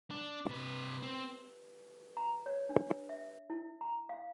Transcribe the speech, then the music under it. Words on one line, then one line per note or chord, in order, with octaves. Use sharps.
They were also responsible for repeated attacks on official sites of numerous other governments.
D4
C3 B4
C4
A#5
C#5
D4
E5
E4
A#5
F5